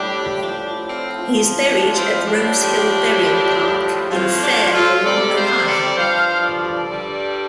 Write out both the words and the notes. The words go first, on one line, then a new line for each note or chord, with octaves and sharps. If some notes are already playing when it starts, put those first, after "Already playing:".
He is buried at Rose Hill Burial Park in Fairlawn, Ohio.
Already playing: A2 G3 D4 G4
A2 F3 D4 G4
C4 F4
A2 F3
D4
C4 F4
A2 F3 D4 G4
A2 F3
A2 F3 C4 F4
D4 G4
F4 A4
C3 G3 A4 D5
C5 F5
A4 D5
G2 F3 C5 F5
A4 D5
G2 G3